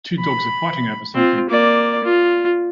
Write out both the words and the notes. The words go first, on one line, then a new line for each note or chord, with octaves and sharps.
Two dogs are fighting over something.
B5
C4 F4
A#3 D5
F4